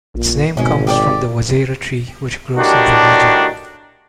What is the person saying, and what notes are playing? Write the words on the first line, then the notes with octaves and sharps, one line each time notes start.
Its name comes from the juazeiro tree which grows in the region.
A#1 A#2
G#1 B2 G#3 C#4
G4 G#4 D5
A2 D#3 G3 D4 F#4 G4